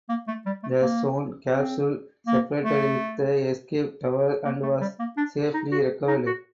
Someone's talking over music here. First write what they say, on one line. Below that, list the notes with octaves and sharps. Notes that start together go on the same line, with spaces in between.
The Zond capsule separated with the escape tower and was safely recovered.
A#3
A3
G3
A3
A#3
C4
A#3
A3
A#3
A3
G3
A#3
D4
D#4
F#4
D#4
F#4